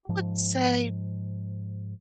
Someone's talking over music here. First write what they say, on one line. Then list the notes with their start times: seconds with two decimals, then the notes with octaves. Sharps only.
I would say,
0.09 G#2 F3